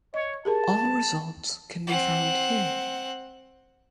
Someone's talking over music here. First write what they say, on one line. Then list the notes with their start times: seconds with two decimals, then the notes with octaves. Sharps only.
All results can be found here.
0.14 C#5 D#5
0.45 G4 G#4 A#4 A5
1.87 C4 F#5